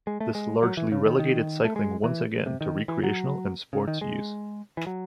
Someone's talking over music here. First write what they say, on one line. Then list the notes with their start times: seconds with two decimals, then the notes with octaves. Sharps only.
This largely relegated cycling once again to recreational and sports use.
0.07 G#3
0.20 A3
0.35 G#3
0.63 F#3
0.77 E3
0.92 C#3
1.05 D#3
1.19 D#3
1.65 A3
1.76 G#3
2.04 E3
2.46 C3
2.61 D#3
2.88 E3
3.03 F#3
3.73 C#3
3.88 D#3
4.01 G#3
4.77 E3
4.87 F#3